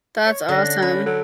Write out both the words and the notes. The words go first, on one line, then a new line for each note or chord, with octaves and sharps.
That's awesome.
C#5
D3 C#4 D5 F#6 A#6
C#4 B5
F#3 A4